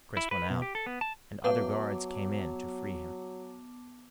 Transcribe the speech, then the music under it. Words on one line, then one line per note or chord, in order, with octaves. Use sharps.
Chris went out, and other guards came in to free him.
E4
B4
B2
G4
A4
B3
A5
F#3 B3 B4 F5 A5 D6